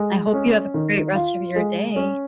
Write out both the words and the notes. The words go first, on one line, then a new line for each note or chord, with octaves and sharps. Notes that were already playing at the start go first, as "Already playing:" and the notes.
I hope you have a great rest of your day.
Already playing: G#3
C#4
D#3
F4
G#3
C#4